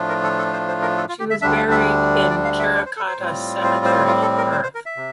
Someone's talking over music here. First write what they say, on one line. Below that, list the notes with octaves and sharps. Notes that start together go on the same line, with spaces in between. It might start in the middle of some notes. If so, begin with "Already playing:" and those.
She was buried in Karrakatta Cemetery in Perth.
Already playing: A2 F3 A3 D4 F4
A#4
A4
A4
C5
C5
A#4
A4
F4
G4
E5
D2 D3 G3 D4 E5
F5
E5
D5
F5
E5
D5
C5
A4
C5
A2 G3 C4 F4
C5
C5
F4
A4
A#4
C5
C5
A#4
E5
C3